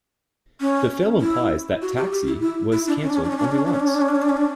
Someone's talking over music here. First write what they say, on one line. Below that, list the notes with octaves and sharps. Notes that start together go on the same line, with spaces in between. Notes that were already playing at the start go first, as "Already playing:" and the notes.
The film implies that "Taxi" was canceled only once.
C#4
E4
F#4
G4
G4
E4
E4
E4
D4
C#4
D4
C#4
D4
C#4
D4
C#4
D4
C#4
D4
C#4
D4
C#4
D4
C#4
D4
C#4
D4
C#4
D4